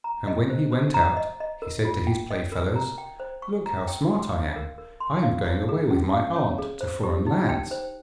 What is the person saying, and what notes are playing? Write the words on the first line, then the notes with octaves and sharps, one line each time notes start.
And when he went out, he said to his play-fellows, 'Look how smart I am; I am going away with my aunt to foreign lands.'
A#5
D#5
C5
C5
A#5
D#5
D#5
A#4
F4
G5
D#5
A#4
A#5
G5
C5
C#6
A#5
G5
C6
F5
A#4
A#4
C6
F5
C#5
G#4
C#4
F5
C#5
G#4
C5
G4
D#4
G5
C5